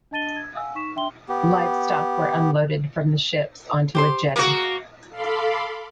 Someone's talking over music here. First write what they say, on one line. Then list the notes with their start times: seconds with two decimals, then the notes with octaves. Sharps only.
Livestock were unloaded from the ships onto a jetty.
0.11 D4 D#5 A5 A6 D#7 G7
0.36 G#6
0.55 F5 F#5 G#5 E6
0.75 D#4 C#6 B6 E7
0.95 D4 E5 G5 C6 G7
1.29 B3 G4
3.95 G4 C5 C6
4.36 A#3 F#4 G#4
5.10 A4 F5 B5 C6 D6